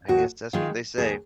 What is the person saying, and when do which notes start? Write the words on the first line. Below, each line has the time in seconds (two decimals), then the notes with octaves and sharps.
I guess that's what they say.
0.08 D#2 F#4
0.53 D#3 G#3 F4
0.98 D#2 G#4